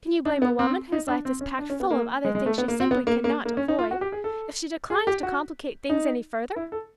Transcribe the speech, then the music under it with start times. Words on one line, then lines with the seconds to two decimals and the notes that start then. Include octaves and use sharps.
Can you blame a woman whose life is packed full of other things she simply cannot avoid, if she declines to complicate things any further?
0.25 D4
0.42 B3
0.59 C4
0.92 D#4
1.08 D4
1.25 C4
1.41 C#4
1.59 D4
1.70 C#4
1.80 B3
1.91 A#3
2.25 G#3
2.35 G#3
2.46 A3
2.58 B3
2.68 A#3
2.80 C4
2.91 B3
3.07 A#3
3.24 A#3
3.45 A#3
3.57 C#4
3.68 D#4
3.79 F4
3.91 F#4
4.01 G4
4.12 G#4
4.24 A4
4.90 G#4
5.07 G4
5.23 F#4
5.90 D#4
6.56 E4
6.72 A4